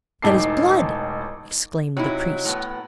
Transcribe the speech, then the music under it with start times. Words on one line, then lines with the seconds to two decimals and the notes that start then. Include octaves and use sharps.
"That is blood!" exclaimed the priest.
0.22 E1 A1 D#4 A5 D6 C7
1.97 C3 F#3 D#4 E4
2.45 A2 B3